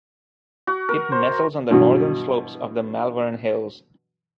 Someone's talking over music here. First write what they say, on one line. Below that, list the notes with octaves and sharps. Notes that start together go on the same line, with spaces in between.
It nestles on the northern slopes of the Malvern Hills.
F#4
A#4
C5
G2 B2 E3 F#3 F#4